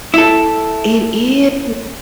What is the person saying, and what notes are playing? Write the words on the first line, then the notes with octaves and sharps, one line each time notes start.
It is.
E4 A4